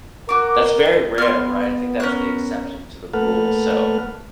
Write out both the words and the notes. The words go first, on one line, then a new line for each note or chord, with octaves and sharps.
that's very rare, right? I think that's the exception to the rule. So
F#4 A#4 D6
D#5
B3 C6 F6
C#4 A#4 F#6
A3 A#3 A4 B4 F#5 F6